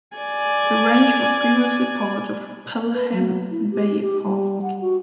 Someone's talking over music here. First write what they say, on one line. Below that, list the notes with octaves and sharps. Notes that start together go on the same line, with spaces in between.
The range was previously part of Pelham Bay Park.
D5 G#5
B4
F#3
E4
G4
G4
G3
F#5
F#4